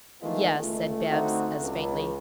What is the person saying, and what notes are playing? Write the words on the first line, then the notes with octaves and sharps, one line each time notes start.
"Yes," said Bibbs, as faintly.
D#3 E3 G#3 A3 B3 F4
C#2 A3
D3 A3 C4 D#4 F#4
C#2